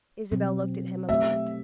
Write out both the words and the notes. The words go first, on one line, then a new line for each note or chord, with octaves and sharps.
Isabel looked at him a moment.
B2 F#3 C4
A3 C4 G4 E5